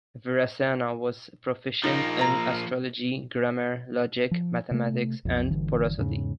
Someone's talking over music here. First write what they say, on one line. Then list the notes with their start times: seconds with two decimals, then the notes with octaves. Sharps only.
Virasena was proficient in astrology, grammar, logic, mathematics and prosody.
1.84 F3 A#3 D#4
2.19 F5 A#5
4.31 F3
4.71 C3 A3
5.25 B1 F2
5.50 G1 D3 E3
5.98 E2 G#2 C#3